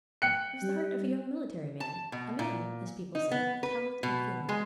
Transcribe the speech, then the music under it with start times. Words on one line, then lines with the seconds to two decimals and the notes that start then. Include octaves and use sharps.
It was the heart of a young military man; a man, as people said, of talent and feeling.
0.22 G5 F#6 C#7
0.62 G3
1.80 A5
2.12 B2
2.39 A#2
3.15 D#4
3.31 B3
3.63 B4
4.03 B2
4.49 G#3